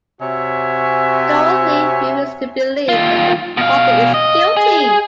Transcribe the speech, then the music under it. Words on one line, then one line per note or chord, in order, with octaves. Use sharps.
Dorothy refuses to believe that her father is guilty.
C3 C4 F#4 C#5 E5 G#5
D#2 F4
B2 F5
D#5
G#4